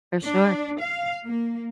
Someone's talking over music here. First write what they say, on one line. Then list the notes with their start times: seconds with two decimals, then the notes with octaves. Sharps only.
For sure.
0.24 D4
0.81 F5
1.25 A#3